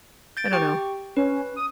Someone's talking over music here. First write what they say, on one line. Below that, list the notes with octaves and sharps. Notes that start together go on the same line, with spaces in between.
I don't know.
G6 A6 D7
G4 G5 C#6
C#4 B4
D#6